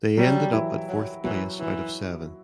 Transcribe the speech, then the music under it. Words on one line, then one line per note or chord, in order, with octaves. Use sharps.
They ended up at fourth place out of seven.
F#3 G3
E3 E4
F#3
E3 F#3 F#4
E3